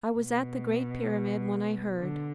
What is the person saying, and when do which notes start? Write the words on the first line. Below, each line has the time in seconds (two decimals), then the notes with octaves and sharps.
I was at the Great Pyramid when I heard.
0.18 B2
1.98 D3